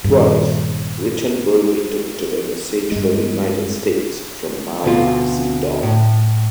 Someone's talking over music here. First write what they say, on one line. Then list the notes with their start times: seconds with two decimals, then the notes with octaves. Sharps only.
Twice, Rittenberg interpreted a message for the United States from Mao Zedong.
0.04 G2 A#2 D#3
2.92 G2 G#3
4.84 D2 B2 F4
5.83 A2